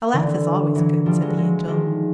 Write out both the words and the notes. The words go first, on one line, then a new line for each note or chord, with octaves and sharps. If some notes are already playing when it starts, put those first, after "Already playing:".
"A laugh is always good," said the Angel.
D3 E3
E3 F#3
F3 G3
F#3 G#3
F#3 G#3
D#3 F3